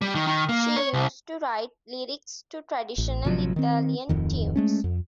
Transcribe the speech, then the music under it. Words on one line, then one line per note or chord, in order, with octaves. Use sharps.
She used to write lyrics to traditional Italian tunes.
G3
D#3
D#3
A#3
C#5
C2
A1
A1 C3 F3 F#3
D#3 C4
D1 F2 D#3
G#3 A3 C#4
F2